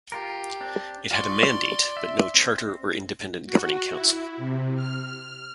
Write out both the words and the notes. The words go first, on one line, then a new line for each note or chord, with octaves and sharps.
It had a mandate but no charter or independent governing council.
F4 G4 A#4
C4 D4
F4 D5 C6 C#6
E5
C4
F#4
E4
C3
F6